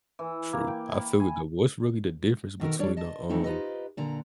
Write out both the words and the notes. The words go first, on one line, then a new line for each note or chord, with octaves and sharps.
True. I feel it though. What's really the difference between a, um,
E3
A#3
G5
B5
G#5
B2 D#3 A4 A#4
G3 D4 C#5 D5
D#5 A5
E3 F#3 A3 C4 D#4 E4
D#4 F4 G4 B4 C5 D#5
A#2 D3 A#5